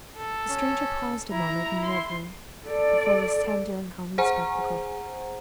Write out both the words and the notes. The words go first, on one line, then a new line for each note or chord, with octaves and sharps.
The stranger paused a moment in revery before this tender and calming spectacle.
A4
C#4
E4 A#5
C6
A4 D5
G#4 C5 F#5 G#5 A#5